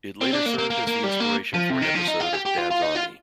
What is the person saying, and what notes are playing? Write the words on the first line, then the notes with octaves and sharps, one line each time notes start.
It later served as the inspiration for an episode of Dad's Army.
C4
D4
A#3
A#3
A#3
A#3
G3
A#3
F3
C3
D#3
F3
D#4
F4
G4
G4
F4
F4
D#4
F4